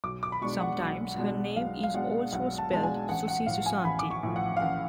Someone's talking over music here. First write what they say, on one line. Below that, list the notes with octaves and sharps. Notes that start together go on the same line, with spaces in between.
Sometimes her name is also spelled Susi Susanti.
B1 D6
D6
B5
B2 G#3 D4 C#6
F#5
B1
B2 G#3 D4
B1 F5
F5
B2 G#3 D4 F#5
B1 F#5
A5
B2 G#3 D4 A5
G#5
A1 F#5
F#5
A2 F3 F5
G#5
A1 B5
D6
C#6
A2 F3
F#5
F5
A1 F#5